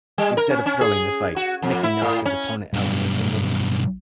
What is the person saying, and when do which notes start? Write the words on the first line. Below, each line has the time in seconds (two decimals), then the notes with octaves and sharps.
Instead of throwing the fight, Mickey knocks his opponent out with a single punch.
0.18 G3
0.37 A#4
0.50 C#4
0.66 C#4
0.81 G#4
1.36 F#4
1.62 F2
1.83 E4
2.02 A2
2.26 C#4
2.74 B1 G2